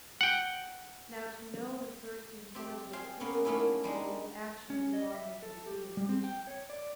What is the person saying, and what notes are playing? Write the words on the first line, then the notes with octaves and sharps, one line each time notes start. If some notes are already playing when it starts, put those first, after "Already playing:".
Now to know the first intelligible principles is the action belonging to the human species.
F#5 G5
C4 G4
G#4 C5 F5 G5
A#3 B3 C#4
F#3 A3 A#3 C#4 D#4 E4
G3 G#3 D4 D#4
C#4
D#5
E5
A4
G4
G3
C4
G5
C#5
D5